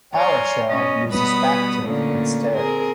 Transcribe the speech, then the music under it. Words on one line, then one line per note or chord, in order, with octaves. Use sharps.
PowerShell uses backtick instead.
C#5 D5 F5 G#5 A#5 C6
B2 C#4 D#5
B2 G3 B3 B4 B5 D#6
A#2 D3 A3 A#3 C#4
C4 G#4 A#4